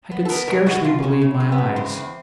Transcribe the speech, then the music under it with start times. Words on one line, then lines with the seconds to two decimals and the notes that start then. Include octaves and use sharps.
I could scarcely believe my eyes.
0.11 B3
0.25 A4
0.29 B3 A#4
0.47 B2 A#4
0.66 B2 F#4
0.84 B2 F4
1.02 C#3 C#4
1.22 C#3
1.40 F#3
1.52 B3
1.58 C#3
1.76 E2 C4
1.95 E2